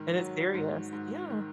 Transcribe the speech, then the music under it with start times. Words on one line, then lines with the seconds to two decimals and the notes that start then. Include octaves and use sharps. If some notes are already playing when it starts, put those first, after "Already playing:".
And it's serious Yeah.
Already playing: G#2 D#3
0.16 F#3
0.54 G#2
0.93 G#2
1.30 D#3